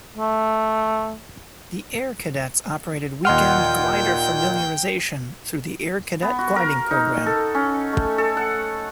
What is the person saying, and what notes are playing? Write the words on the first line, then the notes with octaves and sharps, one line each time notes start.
The Air Cadets operated weekend glider familiarization through the Air Cadet Gliding Program.
A3
D#2 A#2 D#5 F#5 G5 C6 F6
B3
F#4
A#4
D#4
A4
C#4
A3
A4
F#5